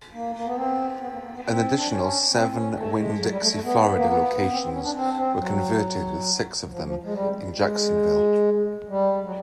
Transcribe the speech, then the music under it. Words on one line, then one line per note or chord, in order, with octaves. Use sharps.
An additional seven Winn-Dixie Florida locations were converted with six of them in Jacksonville.
A#3
A#3
B3
C4
B3
A#3
A#3
B3
C4
D4
C#4
C4
C#4
A3
G#3
F#3
G3
A3
A3
B3
A#3
B3
C4
C4
C#4
D4
C4
C4
F#3
F3
F3
G#3
G3
G#3
G3
F#3